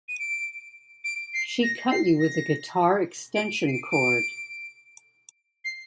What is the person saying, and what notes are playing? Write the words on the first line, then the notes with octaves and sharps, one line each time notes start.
She cut you with a guitar extension cord.
D#7
D7
D7
C7
A#6
C7
A#6
D7
D#7
C7
D7
D7
C7